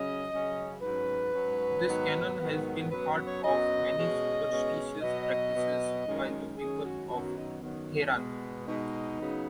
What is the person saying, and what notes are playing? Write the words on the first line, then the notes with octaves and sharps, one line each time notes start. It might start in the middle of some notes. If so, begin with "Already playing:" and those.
This cannon has been part of many superstitious practices by the people of Tehran.
Already playing: C#3 F#3 C#4 D#5
C#3 F#3 C#4
G#2 F#3 C#4 B4
G#2 F#3 C#4
G#2 D#3 F#3 B3
G#2 D#3 F#3 B3
F#2 F#3 B3 B4
C#5
F#2 F#3 B3 D#5
B2 G#3 C#4
B2 G#3 C#4
B2 F#3 B3 D#5
B2 F#3 B3
F#2 D#3 G#3 C#4
F#2 D#3 G#3 C#4 G#4
F#4
F#2 D#3 F#3 B3 F#4
D#4
F#2 D#3 F#3 B3
B2 G#3 B3
B2 G#3 B3 D#4
C#3 F#3 B3